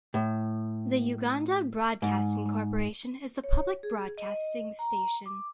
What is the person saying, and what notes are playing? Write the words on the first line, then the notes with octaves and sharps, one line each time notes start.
The Uganda Broadcasting Corporation is the public broadcasting station.
A2
G#2
C#5
G#4
D#5
A#5
D6